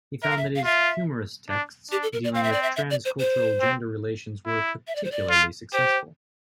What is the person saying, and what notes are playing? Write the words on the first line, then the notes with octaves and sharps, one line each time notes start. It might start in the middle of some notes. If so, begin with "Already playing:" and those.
He found that his humorous texts dealing with trans-cultural gender relations were particularly successful.
A#4 E5
F5
E5
F5
F4 E5
D4
D4 G4
A4
A#4
D5
C4 F5
E5
D5
E5
E5
D5
C5
C5
C4
E4
E5
D5
C5
D5
F4
G4 C5